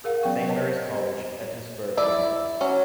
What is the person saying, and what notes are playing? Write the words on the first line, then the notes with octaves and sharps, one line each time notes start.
Saint Mary's College, Emmitsburg, Maryland.
G#4 A#4 F5 F#5
F#3 B3 C#4 F#5 G5 C#6
B4 C#5 D#5 A5 A#5
G4
C5
E4 D5 E5
F#3 C#4